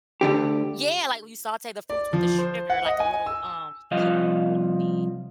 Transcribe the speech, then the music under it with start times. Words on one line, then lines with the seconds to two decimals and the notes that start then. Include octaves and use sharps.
Yeah, like, when you saute the fruits with the sugar, like, a little um Y what you mean.
0.21 D2 G#2 D3 G4
1.90 D5
2.13 F3
2.39 C5
2.70 F#5
2.86 D#5
3.00 G#5
3.26 E6
3.91 C2 F3 D#5 F5